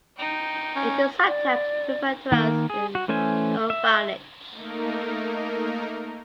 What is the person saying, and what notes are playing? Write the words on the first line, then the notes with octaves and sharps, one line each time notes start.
It is sometimes referred to as an orphanage.
D#4 G5
C#4
D5
D#3 A#3
G#4
F#4
E3 A3 C#4 C5 G#5
E5
A3 A#3 D#4 A#4